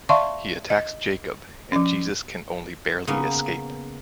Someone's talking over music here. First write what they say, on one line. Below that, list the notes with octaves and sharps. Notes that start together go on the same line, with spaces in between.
He attacks Jacob and Jesus can only barely escape.
D5 E5 F5 A5 C6 C#6
D#5
F3 C#4
C#3 A#3 B3 C#4